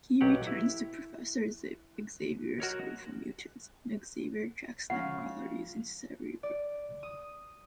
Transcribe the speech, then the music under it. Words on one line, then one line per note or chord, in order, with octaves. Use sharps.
He returns to Professor Xavier's school for mutants, and Xavier tracks Nightcrawler using Cerebro.
B1 F#3 G4 F#5
E4
F#4 A#4 C#5 D#5
C#3 F3 G#3 C#4 F4 F5 F#5
D5
D#6